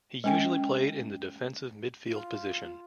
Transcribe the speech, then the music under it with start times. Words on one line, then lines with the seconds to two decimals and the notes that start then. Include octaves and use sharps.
He usually played in the defensive midfield position.
0.24 G#3 C#4 G5
2.08 F4